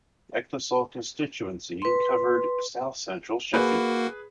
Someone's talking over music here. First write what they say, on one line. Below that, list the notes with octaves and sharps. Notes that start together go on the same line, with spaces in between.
Ecclesall constituency covered south central Sheffield.
B4 C6
A#3 F#4 G#4 B4